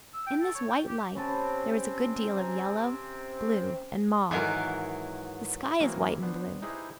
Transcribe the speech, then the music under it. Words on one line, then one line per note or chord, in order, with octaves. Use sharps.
In this white light, there is a good deal of yellow, blue and mauve; the sky is white and blue.
E6
G5
A4
C#5
G5
G4
C3 C4 C#4 B4 A5
G5 G#5 A#5
G#2 D#3 E3 F#3 A#4
E3 F#3 G#3 A#3 C4
B3 D4 C5
D#4 E4 G4 G#4 B4 C5